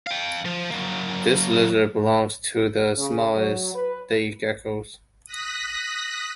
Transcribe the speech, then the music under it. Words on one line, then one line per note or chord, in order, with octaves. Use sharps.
This lizard belongs to the smallest day geckos.
F5 G5
F3
F#3 A#3
C#3
F#3
B4
D#6 F#6 A#6 B6